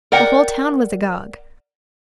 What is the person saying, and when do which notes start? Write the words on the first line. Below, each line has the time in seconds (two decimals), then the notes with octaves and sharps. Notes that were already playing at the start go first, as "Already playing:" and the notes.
The whole town was agog.
0.12 A#4 D5 F#5 G5